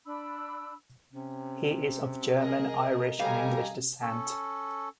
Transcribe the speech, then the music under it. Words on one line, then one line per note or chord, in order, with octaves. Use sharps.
He is of German, Irish, and English descent.
D4 B5 E6
C3 C#4
G#4 A#4 D#5
G3 A4 D#5 F5 G#5 A#5
C#4 A4